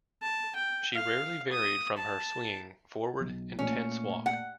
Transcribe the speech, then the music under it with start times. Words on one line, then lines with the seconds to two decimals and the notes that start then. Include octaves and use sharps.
She rarely varied from her swinging, forward, intense walk.
0.22 A5
0.56 G5
0.94 F5
1.52 D#6
1.98 A5
3.20 B1
3.59 A#2 A3 A#3 C#4
4.26 F#5